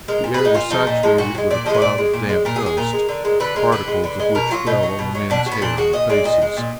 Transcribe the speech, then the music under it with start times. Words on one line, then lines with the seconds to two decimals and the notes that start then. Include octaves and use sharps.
The air was saturated with a cloud of damp dust, particles of which fell on the men's hair and faces.
0.08 G#3 A#4
0.24 A#2
0.34 B4
0.39 G#3
0.45 D#4
0.55 A#2 F4
0.71 F3 G#3 D#4
0.87 A#2
1.03 F3 G#3
1.18 A#2 F#4
1.35 F3
1.38 G#3
1.50 A#2 D5
1.66 F3 D#5
1.70 G#3 B4
1.82 A#2 D5
1.98 G#3
2.13 A#2
2.29 G#3
2.45 A#2 A#4
2.56 G#4
2.61 G#3
2.66 G#4
2.77 A#2 A#4
2.93 G#3
3.09 D3
3.25 G#3
3.40 D3 B4
3.56 G#3 A#4
3.72 D3 B4
3.88 G#3
4.04 D3
4.19 G#3
4.35 B2 A#4
4.51 F#3 F4
4.67 B2 D#4
4.83 F#3
4.99 B2
5.15 F#3
5.30 B2 D4
5.46 F#3
5.52 B3
5.62 A#2 D4
5.77 G#3 F#4
5.93 A#2 D#5
6.09 G#3 D5
6.25 A#2 D#5
6.42 G#3
6.57 A#2